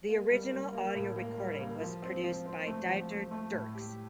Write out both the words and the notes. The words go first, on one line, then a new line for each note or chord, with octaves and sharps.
The original audio recording was produced by Dieter Dierks.
A#3
G3
G3
A#3
A2
A#3
G3
A#3
F3
C4
F3
C4
A3
F3
A3
A3
A2
G4